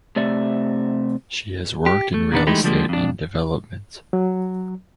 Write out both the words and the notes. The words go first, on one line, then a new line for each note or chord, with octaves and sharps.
She has worked in real estate and development.
C3 A3 D5 E5
G4
A3
A#2 D#3 B3 D4
E3 G#3 A3 D#4 E4 G4
D3 F3 G3 G#3 A#3
F2 D4
F#3